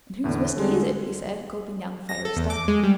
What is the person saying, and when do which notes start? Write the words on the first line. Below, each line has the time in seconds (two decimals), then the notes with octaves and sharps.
"And whose whisky is it?" he said, gulping down the fiery stuff.
0.24 E2 A2 D3
0.56 D3 G3 G#3
2.09 A#6
2.25 A4
2.36 E2
2.50 D6
2.68 G#3
2.83 G3